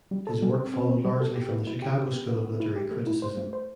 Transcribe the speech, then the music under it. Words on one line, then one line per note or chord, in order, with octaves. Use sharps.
His work followed largely from the Chicago school of literary criticism.
G3
A4
G3
C4
C4
C4
G3
A4
G4
B3
E4
G4
G4
B3
B3
B3
E4
G4
A3
E4
C5
A3
C5